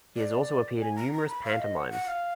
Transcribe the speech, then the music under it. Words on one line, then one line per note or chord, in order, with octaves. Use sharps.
He has also appeared in numerous pantomimes.
D5
G#5
A#5
A#5
B5
F5
D#5
F#5
F#5
F5